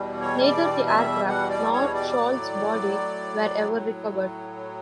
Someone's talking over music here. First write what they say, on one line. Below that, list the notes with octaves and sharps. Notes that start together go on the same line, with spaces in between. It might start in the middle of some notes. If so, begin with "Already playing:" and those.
Neither the aircraft nor Scholl's body were ever recovered.
Already playing: E2 B2 G3
C#5
D5
E5
F#5
D5
C#5
D5
A2 F#3